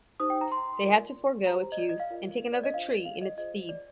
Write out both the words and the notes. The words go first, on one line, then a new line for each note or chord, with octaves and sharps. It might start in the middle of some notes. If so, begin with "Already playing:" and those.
They had to forgo its use and take another tree in its stead.
D#4 G4 C5 D#6
G5
A#5
C6
F4 A#4 D5
G4 C5 A#5
D#5
D5
D#5
F5
F4 A#4 D5
D5
D#5
D4 F4 C5 F5
F5
D#5
F4 G#4 C5 D#5
D5